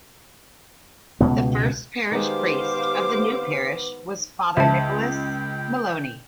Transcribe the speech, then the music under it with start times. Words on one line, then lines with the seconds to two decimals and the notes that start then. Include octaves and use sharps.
The first parish priest of the new parish was Father Nicholas Molony.
1.21 C#2 B2 B3
2.12 D#3 G#3 B3 G4 C5 F5 D6
4.57 C#2 E5 G5 A5